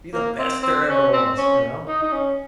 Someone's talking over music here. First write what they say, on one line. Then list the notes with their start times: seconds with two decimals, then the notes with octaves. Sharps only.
Be the best there ever was, you know?
0.13 A#3
0.39 C4
0.63 C4
0.89 C#4
1.13 C4
1.38 C#4
1.88 D#4
2.02 D#4
2.13 C#4